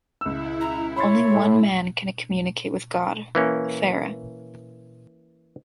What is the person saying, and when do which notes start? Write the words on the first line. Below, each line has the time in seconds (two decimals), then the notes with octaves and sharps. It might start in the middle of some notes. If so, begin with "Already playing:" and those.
Only one man can communicate with God, Pharaoh.
0.21 C#2 E4 E6
0.61 A#5
0.96 C#5 B5 C6 A6
1.31 A2
3.35 E3 A#3 C#4